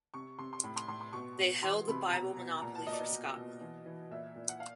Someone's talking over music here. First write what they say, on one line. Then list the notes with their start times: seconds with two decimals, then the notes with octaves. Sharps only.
They held the Bible monopoly for Scotland.
0.14 C3 C#6
0.39 C3 C6
0.53 C6
0.63 A2 B5
0.76 C6
0.88 A2 C6
1.01 C6
1.13 B2 C#6
1.38 B2
1.63 E3 C6
1.88 C3 B5
2.12 B2 A#5
2.37 B2
2.62 A#2 A#5
2.75 A5
2.87 A#2 D#5
2.93 D5
2.99 D#5
3.12 B2
3.36 B2
3.61 E3
3.86 E3
4.11 A#2 E5
4.35 A#2
4.49 F#5
4.60 F5